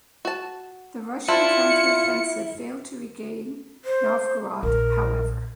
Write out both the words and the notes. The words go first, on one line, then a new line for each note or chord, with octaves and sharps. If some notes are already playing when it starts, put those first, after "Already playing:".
The Russian counter-offensive failed to regain Novgorod, however.
F#4 A5
D4 E4 F4 A4 C5 C#7
C5
A#1 A#4